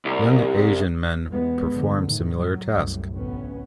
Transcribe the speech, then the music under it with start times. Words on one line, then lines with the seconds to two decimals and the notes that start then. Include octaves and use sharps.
Young Asian men perform similar task.
0.05 C2
1.27 E2 G2 G3 G#3 B3
1.72 F1 D3
2.05 A2 D#3
2.36 F#3
2.73 C2 F#2 A2
3.14 A1 D2 B3 C#4